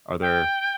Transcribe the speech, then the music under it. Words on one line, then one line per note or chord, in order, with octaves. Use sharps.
are there
G5